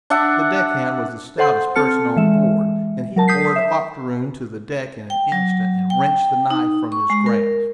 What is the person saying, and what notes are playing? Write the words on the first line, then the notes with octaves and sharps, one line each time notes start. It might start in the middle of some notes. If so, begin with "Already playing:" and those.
The deckhand was the stoutest person on board, and he bore the octoroon to the deck in an instant, and wrenched the knife from his grasp.
D4 D5 E5 F#5
A4 C5 F#5 C6 G6
C4 A4 A5 F6 C#7
E3 G#3 E5
F#3 A#4 A5
D#6 G6 B6 C7
E5
G5
F#3
G5
D#4
C#6
G#3
A#4